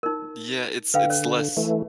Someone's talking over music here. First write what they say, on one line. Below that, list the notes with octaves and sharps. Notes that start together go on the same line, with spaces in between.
Yeah, it's it's less
D#4 A#4
D3 B4 F5 G5
C#5
E3 A3